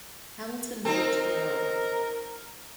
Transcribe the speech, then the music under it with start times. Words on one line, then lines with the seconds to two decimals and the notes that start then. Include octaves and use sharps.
Hamilton moved to the No.
0.85 C4 D#4 A#4